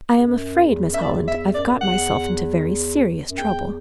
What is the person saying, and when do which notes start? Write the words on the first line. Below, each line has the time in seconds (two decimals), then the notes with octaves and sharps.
"I am afraid, Miss Holland, I've got myself into very serious trouble."
0.16 E2
0.23 F#2
0.63 E2
0.91 F#2 E5
1.02 E2 D5
1.28 E2 E5
1.54 F#2 D5
1.63 E2
1.71 F#2
1.81 E2 F#5
3.30 F#2
3.38 E2 G5